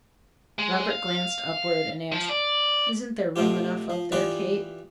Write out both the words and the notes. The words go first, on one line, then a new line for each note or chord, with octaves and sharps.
Robert glanced upward and asked: "Isn't there room enough up there, Kate?"
G#3
F5
F3
D5
B2 A3 C4 F4 G4
F3
E3 F4 G4 G#4 B4 D5